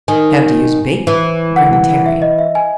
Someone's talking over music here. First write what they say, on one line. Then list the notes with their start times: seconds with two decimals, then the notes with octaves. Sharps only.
"Have to use bait," grinned Terry.
0.08 D#3 G#5
1.07 E3
1.56 F#5
1.73 F#5
1.89 F#5
2.06 E5
2.22 D#5
2.38 E5
2.55 G#5